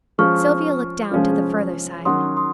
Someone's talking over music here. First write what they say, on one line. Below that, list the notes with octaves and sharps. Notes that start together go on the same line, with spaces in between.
Sylvia looked down to the further side.
F3 G#3 C#4 F4 C#6 F6
F3 G#3 C#4 F4
D#3 F#3 C#4 F#4 C6 D#6
C6 D#6